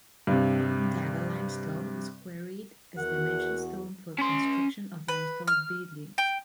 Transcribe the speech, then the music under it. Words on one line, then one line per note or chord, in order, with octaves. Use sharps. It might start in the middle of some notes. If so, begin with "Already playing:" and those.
Onondaga limestone was quarried as dimension stone for construction of limestone buildings.
G2 C3
E2 F#4 A#4 F#5
C#4 C6
B4
F6
G5